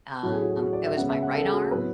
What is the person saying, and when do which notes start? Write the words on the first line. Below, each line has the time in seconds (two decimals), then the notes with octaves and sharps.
Um, it was my right arm,
0.23 A2 F#3 C#4 F#4
0.33 G#4
0.42 F#4
0.51 G#4
0.61 F#4
0.73 D5
0.85 E5
0.97 C#3 G#3 B3 F#5
1.09 E5
1.22 F#5
1.34 A4
1.43 G#4
1.53 F#4
1.62 G#4
1.71 A2 F#3 B3 B4